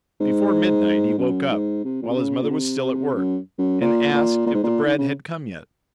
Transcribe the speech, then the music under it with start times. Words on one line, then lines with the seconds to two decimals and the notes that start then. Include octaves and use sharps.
Before midnight he woke up, while his mother was still at work, and asked if the bread had come yet.
0.20 G#2
1.18 F#2
1.51 G#2
1.84 C3
2.03 A#2
2.09 C3
2.17 C#3
2.42 A#2
2.50 C3
3.15 F#2
3.59 F#2
3.81 A#2
4.13 A#2
4.46 A#2
4.54 G#2
4.64 A#2
4.84 D#3
4.98 C#3